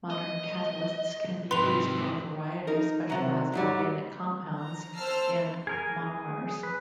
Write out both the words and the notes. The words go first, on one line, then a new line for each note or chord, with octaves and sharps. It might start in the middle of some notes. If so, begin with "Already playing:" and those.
Modern catalysts can be used for a variety of specialized organic compounds and monomers.
D#5
G#2 C3 D#3 E3 B4 C6 F7
D#4 A#4
C3 F#3
G#2 F#3 G3
A#5
C5 A5 E6 F6 C7
G#4 A#4 G#5
G#4
B4